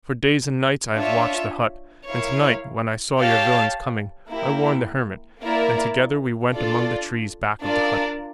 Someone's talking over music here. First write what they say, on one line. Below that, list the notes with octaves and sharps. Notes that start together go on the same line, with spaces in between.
For days and nights I have watched the hut, and tonight, when I saw your villains coming, I warned the hermit, and together we went among the trees back of the hut.
D4 F4 C#5 E5
E4 A#4 C#5 F5
G4 C#5 F5 A5
A#3 E4 G4 A#4
A#3 E4 A#4 D5
D4 F4 A4 D5
D4 F4 A#4 D5